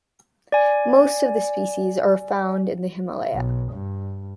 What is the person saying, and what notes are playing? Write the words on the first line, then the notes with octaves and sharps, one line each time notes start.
Most of the species are found in the Himalaya.
D5 G#5
B1
G2